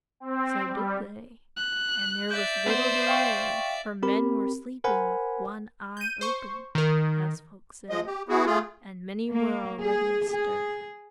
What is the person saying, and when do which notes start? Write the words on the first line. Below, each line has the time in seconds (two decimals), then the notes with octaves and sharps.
So did they, and there was little delay, for men were sleeping with one eye open, as folk say, and many were already astir.
0.20 C4
0.67 G3
1.57 F#6
2.31 D5 E5 G6
2.66 B3 C5
3.07 F5 G5 C#6
4.03 C4 G4 A#4 B5
4.84 A#4 C5 F#5 G#5 B5
5.97 G6 D#7
6.21 C5 C#6
6.75 D#3 A#4
7.90 F3 G#3 D#5
8.06 G4
8.29 B3 E4 F#4 G#4
8.46 A3 F4 G#4
9.32 A#3
9.82 G#4
10.31 G#4